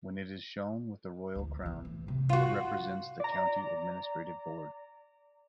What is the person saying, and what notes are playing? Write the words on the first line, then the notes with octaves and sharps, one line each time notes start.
When it is shown with a royal crown, it represents the county administrative board.
D2 E3
D#3 E3
A2
E1 C3
G2 F4 F#4
D5 A#5